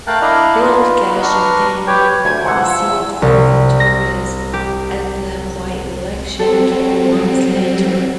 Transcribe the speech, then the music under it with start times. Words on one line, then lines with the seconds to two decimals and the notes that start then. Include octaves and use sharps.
Bill Cash retained the seat for the Tories at the by-election two months later.
0.07 A3 A#4 F5 G5 A5 F#6
0.22 D4 E4 D5 D#5 F5 A#5
0.61 D#4 F4 B4
1.22 D4 B4 A#5 C#6 F6
1.87 G4 B4 C#5 G5
2.25 D2 G#6
2.44 G#2 C3 E3 F#5
2.63 F3 E6
2.89 E2
3.22 C2
3.80 A#6
4.53 G4
6.39 F#3 G3 C4 A4